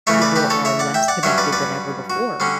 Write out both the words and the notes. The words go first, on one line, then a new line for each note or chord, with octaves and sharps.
people are less connected than ever before.
C#3 E3 A3 C#5 E5
B4 D5
G4 B4
A4 C#5
C#5 E5
D5 F#5
E5 G5
D5 F#5
G2 F#3 C#4 C#5 E5
B4 D5
B4 D5
F#4
D3 G3 C#4